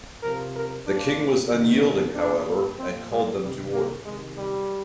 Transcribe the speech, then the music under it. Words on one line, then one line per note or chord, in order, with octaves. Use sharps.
The King was unyielding, however, and called them to order.
C3 F3 A#4
A#4
A#2 F3 D4
C3 D#3
A#2 F3 D4
A#2 F3 C4
G#3
C3 D#3 G3
A#3
C3 D#3 G#3
G3